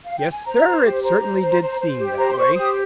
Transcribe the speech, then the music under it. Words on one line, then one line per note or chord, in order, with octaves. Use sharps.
Yes, Sir, it certainly did seem that way.
F5
G5
G#5
C5 A#5
C5
G4
C5 A#5
C5
C5
C5
C5
G4
C5 A#5
C6
C5 C#6
G4 D#6